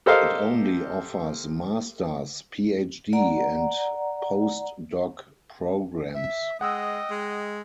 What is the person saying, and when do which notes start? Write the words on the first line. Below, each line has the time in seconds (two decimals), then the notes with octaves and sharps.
It only offers Master's, PhD, and Postdoc programs.
0.06 G4 A4 A#4 C5 D#5 F5
3.13 D5 F#5 A#5
6.14 E5
6.61 G#3 D#5 F#5 G5 D#6 E6
7.10 G#3